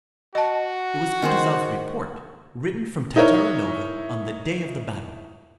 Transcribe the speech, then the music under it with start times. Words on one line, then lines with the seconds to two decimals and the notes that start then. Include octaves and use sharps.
It was Kutuzov's report, written from Tatarinova on the day of the battle.
0.35 F#4 D#5 A5
1.22 D#3 G#4 C5
3.16 D#4 E4 A#4 C#5